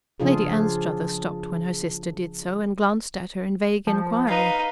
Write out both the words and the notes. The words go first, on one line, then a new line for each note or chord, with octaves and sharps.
Lady Anstruthers stopped when her sister did so, and glanced at her in vague inquiry.
C#3 F3 D4 F4 G#4
F3
D#4 B4 F5